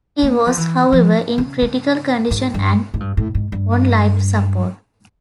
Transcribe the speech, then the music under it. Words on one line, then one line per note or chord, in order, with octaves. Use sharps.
He was, however, in critical condition and on life support.
A#3
F3
E3
F3
C#3
C#3
G#2
G2
G#2
G2
A2
G#2
G2